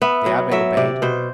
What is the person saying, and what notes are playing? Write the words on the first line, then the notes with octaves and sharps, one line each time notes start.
The abbe obeyed.
B3 E5
F#3
F#3 E5
C3 D5
B2 C5